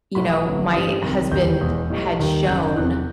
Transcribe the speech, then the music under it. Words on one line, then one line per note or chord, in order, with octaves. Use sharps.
you know, my husband had shown
B1 A2 F#3 B5
D#6
G1 G2 F#3
A1 G2 E3 G3 D#6
C2 C3 D#3
E1 D#2 D#3 G3 G6
E1 E2 B2
B1 A2 G3
D#2 D#3 G3
F#1 F#2 F#3 G6
E2 C3 E3 F#6